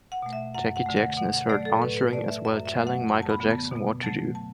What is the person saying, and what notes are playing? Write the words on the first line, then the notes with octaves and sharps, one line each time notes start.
Jackie Jackson is heard answering as well telling Michael Jackson what to do.
F#5
B2 A3
E5
F#2 F#5
F#5
D3 A3
F#5
B2 F#5
F#5
F#3 A3 D5
A4
A2 B4
B4
A3 D5
E5
F#2 E5
E5
F#3 A3
F#5
F#2 A5
A5
B5
D3 B3
A5
B2
F#3 A3 A5
A5